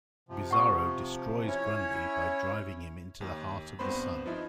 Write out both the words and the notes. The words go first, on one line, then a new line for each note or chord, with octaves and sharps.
Bizarro destroys Grundy by driving him into the heart of the Sun.
C3 F3
F#5 C#6 D#6
C#4 E4 C#5
D#2
G2 B3 C4 C5 B5
F3 D#4 E4